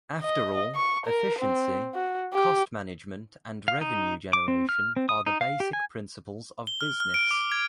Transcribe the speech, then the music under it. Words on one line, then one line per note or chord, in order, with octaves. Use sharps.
After all, efficiency, cost management and revenue generation are the basic principles of business.
D#5
C#6
A#4
C4
F#4
G4
F5
D#4
D6
C4
F6
C4
D#6
D#4
F5
G4
G#5
G7
F6
F6
D7
D6
G#6